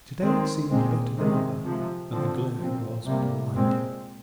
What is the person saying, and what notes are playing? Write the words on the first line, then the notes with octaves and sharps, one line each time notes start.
To-day it seemed better than ever and the glare was blinding.
D#3 G#3 C4
A#2 G#3 C4
C3 D#3 G#3 C4
C3 F3 G#3
D3 F3 C4
A#2 F3 C4
C3 G3 A#3
A#2 G#3 C4